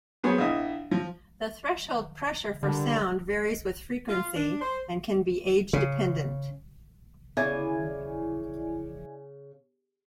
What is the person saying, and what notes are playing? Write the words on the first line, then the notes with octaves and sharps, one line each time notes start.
The threshold pressure for sound varies with frequency and can be age-dependent.
F#3 B3 G#4 C5 C#5
A#1 E4 D#5 E5 D#6
F3
D3 G3 A#4
F4
D4
C5
C#3
C#3 E4 D5 G#5